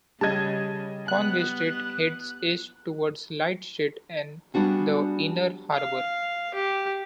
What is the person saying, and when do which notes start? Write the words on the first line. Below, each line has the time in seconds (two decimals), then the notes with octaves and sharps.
Conway Street heads east toward Light Street and the Inner Harbor.
0.21 C#3 G3 D#5 A5 G#6
1.08 B3 F#6
4.54 G3 B3 D4 F#4 G#4
5.73 F5
6.54 G4